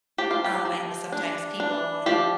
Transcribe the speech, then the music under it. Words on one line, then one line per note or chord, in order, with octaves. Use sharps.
um, I know sometimes people,
F3 G4
F4
G4
F3
D4
D4
F3 G4